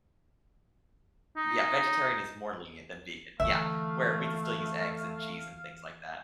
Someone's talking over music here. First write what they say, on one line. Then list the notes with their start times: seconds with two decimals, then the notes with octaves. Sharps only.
m Yeah, vegetarian is more lenient than vegan, yeah, where we could still use eggs and cheese and things like that.
1.37 D#4
3.40 D3 E3 A3 E5 F5